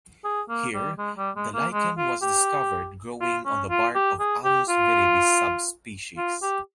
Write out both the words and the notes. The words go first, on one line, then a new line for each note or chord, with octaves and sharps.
Here the lichen was discovered growing on the bark of "Alnus viridis" subsp.
G#4
A#3
G3
G#3
G3
G#3
A#3
G#3
F4
G4
F4
C#4
F4
G4
G#4
G4
F4
F4
G4